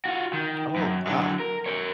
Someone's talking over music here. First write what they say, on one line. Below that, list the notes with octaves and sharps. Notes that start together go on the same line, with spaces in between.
Oh, wow.
F4 F#4
D#3
F#2
D3 F#3
A#4
A#4 C#5